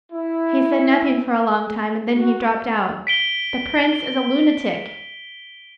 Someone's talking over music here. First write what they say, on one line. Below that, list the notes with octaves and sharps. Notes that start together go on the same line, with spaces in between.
He said nothing for a long time, and then he dropped out, "The Prince is a lunatic!"
E4
G#5
F#4
B6 D7 G7